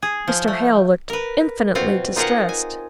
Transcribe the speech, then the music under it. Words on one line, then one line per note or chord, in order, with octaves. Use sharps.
Mr. Hale looked infinitely distressed.
G#4
F3
A3
A#4 B4
B2 C4 F4 F#4
D#4 F4 G#4 A#4 D#5 F#5
G#5